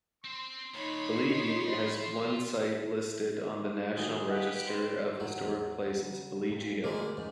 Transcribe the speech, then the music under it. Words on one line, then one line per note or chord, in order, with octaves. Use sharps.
Boligee has one site listed on the National Register of Historic Places, Boligee Hill.
C4 C5 C6
D#2 A#2 D#4 C#5 B5
F4 C5
D#3 A3 F#4 G#4
G4 B4 D#5 F5 F#5
C5
E1 A2 D3 F#3
E2
C#3
F1 F2 C3
D2 B2 E3 G#3 A#3 B3
E2 G#2 F#3 C#4